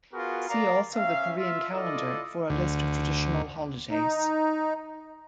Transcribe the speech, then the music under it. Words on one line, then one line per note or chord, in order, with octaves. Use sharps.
See also the Korean calendar for a list of traditional holidays.
B3 F4 F#4 G#4 A#4
A#4 D5 F5 A#5
C#4 E5 F5
F4 E5
E4 F4 A4 D5 D#5
D2
D#4